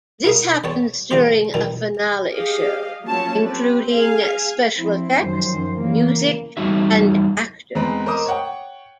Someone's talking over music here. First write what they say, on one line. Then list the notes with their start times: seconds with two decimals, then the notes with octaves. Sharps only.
This happens during a finale show, including special effects, music and actors.
0.24 E4 A#4 E5 D#6
0.64 E2 B3 C4 C#5 A5
1.11 D3 E3 G#3 B3 G4 C5
1.54 F2 D#3 E3 G3
2.30 G4 G#4 D#5 F5
3.06 F3 F#3 A#3 C#4 C#5 A5
3.43 C4 G4 B4
3.90 G#4 F5 G#5
4.77 F3 C4 E4
5.19 F#2 D#3 F3 C5
5.72 C#3 E3 A#3
6.57 E2 G3 D#4 F#4 E5
7.75 E2 G#3 C4 B4 A#5
8.06 A#4 C5 D#5 A#5 D6 D#6
8.26 C#5 F#5 G5